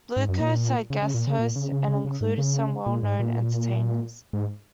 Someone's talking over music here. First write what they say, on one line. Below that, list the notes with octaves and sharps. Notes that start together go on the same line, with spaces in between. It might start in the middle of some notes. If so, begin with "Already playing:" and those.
Bluecoats are guest hosts and include some well-known entertainers.
G#2
F#2
A#2
C#3
C#3
A#2
C#3
A#2
C#3
C#3
C#3
C#3
G#2
C#3
A#2
G#2
A#2
G#2